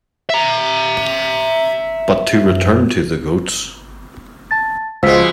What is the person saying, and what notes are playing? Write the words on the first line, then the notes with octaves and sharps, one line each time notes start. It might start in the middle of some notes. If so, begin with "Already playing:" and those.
But to return to the goats.
E5 A#5
F#2
A5 A6
C#2 B2 F3 G#3 E6 B6